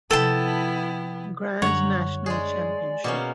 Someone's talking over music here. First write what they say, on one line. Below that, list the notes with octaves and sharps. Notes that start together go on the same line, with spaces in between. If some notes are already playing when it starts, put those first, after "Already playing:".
Grand National Championship.
C3 F3 B3 E4 A4 G5 A5
F#2 D3 G3 C#5 F#5 A#5
G#3 G#4 D5
B2 A#3 C#4 D5